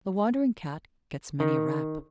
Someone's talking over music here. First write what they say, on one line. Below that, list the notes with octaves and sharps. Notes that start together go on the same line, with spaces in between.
"The wandering Cat gets many a rap."
D#3